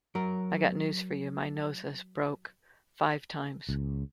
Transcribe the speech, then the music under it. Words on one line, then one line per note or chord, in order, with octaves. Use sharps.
I got news for you, my nose has broke five times.
F#3 A#4
C#2